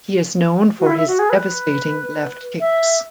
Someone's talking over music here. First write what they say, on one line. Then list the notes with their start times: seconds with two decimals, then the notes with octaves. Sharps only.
He is known for his devastating left kicks.
0.80 F#4
0.86 E4
0.97 E5
1.07 F#4
1.19 G#4
1.30 B4
2.60 E5